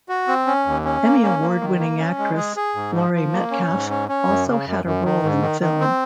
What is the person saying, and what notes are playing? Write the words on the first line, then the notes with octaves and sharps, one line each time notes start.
Emmy Award-winning actress Laurie Metcalf also had a role in the film.
F#4
C4
C#4
D#2
C#4
A#3
C#4
A#3
D#3
A#3
C#4
G#3
G#4
G#4
G#2
F3
F3
A#3
C#4
G#2
C#4
C#4
F#2
C#3
F#2
F#2
D#3
G#2
D#3
D#3
C4